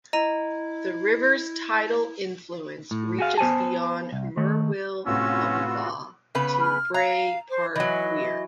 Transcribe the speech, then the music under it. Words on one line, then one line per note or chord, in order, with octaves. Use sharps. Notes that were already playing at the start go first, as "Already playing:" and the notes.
The river's tidal influence reaches beyond Murwillumbah to Bray Park Weir.
E4 D#5 A#5 D#7
A2
F#4 G#4 F5
B3 C5 G#5 A5
C2
D#3 A3
A2 C3 B3 C#4 F4 F#4 E6
C#3 B3 B4
F6
F5 A#5
C5
E3 F#3 D#5